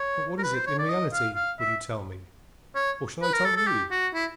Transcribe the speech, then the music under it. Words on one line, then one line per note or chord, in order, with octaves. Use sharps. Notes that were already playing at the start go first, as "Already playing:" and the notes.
But what is it, in reality, will you tell me? Or shall I tell you?
Already playing: C#5
A#4
B4
C5
C#5
D5
D#5
F5
F5
E5
C#5
B4
A#4
A4
A4
G4
F#4
E4